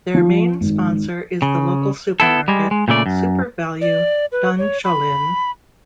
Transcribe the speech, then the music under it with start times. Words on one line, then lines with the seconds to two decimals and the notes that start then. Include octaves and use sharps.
Their main sponsor is the local supermarket, SuperValu Dunshaughlin.
0.15 F3
0.61 G#1
1.42 C#3
2.20 B3 E4 A4
2.48 G3 G#3
2.71 G#3
2.88 A#2 C#3 A3 D5
3.06 F#2
3.81 D5
4.32 B4
4.58 C#5
4.84 B5